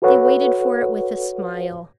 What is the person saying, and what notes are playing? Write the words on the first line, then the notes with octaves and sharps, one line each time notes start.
They waited for it with a smile.
F#4 A4 B4 C#5 F#5